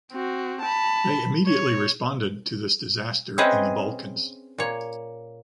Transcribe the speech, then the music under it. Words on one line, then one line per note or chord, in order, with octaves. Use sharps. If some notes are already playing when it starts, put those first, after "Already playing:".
They immediately responded to this disaster in the Balkans.
C4 F#4
A5 B5
C#5
C4 C#4 G#4 B4 D#5 E5
A#2 C#5